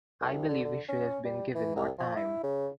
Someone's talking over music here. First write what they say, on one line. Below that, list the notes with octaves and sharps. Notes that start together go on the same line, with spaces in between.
I believe he should have been given more time.
C2
D3
D3
C#4
G3
E3
C2
F3
E4
C#3